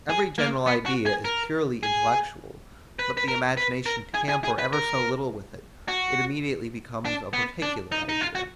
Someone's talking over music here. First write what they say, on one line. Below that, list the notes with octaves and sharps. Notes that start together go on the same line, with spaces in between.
Every general idea is purely intellectual; let the imagination tamper ever so little with it, it immediately becomes a particular idea.
G#4
A#3
B3
F#4
G#4
A#4
G#4
B4
B4
A#4
B4
A#4
G#4
G#4
G#4
B4
A#4
F#4
D4
B3
D4
D#4
D#4
F4
F#4